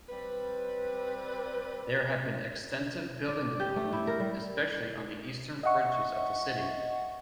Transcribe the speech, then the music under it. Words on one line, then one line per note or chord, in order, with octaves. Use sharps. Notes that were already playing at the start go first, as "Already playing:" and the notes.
There has been extensive building development, especially on the eastern fringes of the city.
G3 C4 B4
D5
G4
A3
E4
A#4
G3
D#5 E5 F#5 C#6